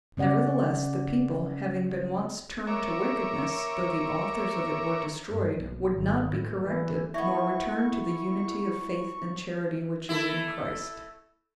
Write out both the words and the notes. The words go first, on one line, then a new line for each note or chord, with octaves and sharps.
Nevertheless, the people, having been once turned to wickedness, though the authors of it were destroyed, would not be corrected, nor return to the unity of faith and charity which is in Christ.
C#3 C#4 D5 F#5
A#4 C#5 E5 D6
G2
B1
G#1
A2
E3
A3 B3 E4 D#5 E5 C#6
A3 E4